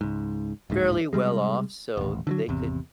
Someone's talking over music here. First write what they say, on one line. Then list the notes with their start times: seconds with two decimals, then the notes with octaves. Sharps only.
fairly well off so they could
0.01 C#2 G#2
0.70 D1 A#1 G#2
1.13 C3 E3 G3 G#3
1.97 D#1 A1
2.27 D3 E3 F#3
2.48 G#1 E2 C3